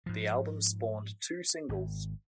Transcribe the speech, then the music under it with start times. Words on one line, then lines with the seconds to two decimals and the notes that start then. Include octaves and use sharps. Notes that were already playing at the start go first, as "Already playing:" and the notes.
The album spawned two singles.
0.06 G#2 F3
1.69 G#1